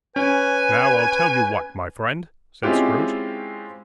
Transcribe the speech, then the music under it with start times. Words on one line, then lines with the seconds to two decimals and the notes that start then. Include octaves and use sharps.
'Now, I'll tell you what, my friend,' said Scrooge.
0.16 C#4 B4 G#5
2.63 G#3 C4 C#4 E4 F4 G4